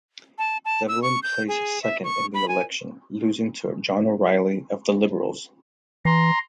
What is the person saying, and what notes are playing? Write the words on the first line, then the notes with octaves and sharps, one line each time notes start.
Devolin placed second in the election, losing to John O'Reilly of the Liberals.
A5
A5
E6
C#6
G6
G#4
E5
C#6
B5
G#5
E3 A#5 C6